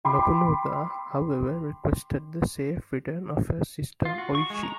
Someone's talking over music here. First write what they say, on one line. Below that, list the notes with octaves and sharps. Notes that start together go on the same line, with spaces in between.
Nobunaga, however, requested the safe return of his sister, Oichi.
G5 B5 C6 D6
F4
F#4
C#6
G#3
A#5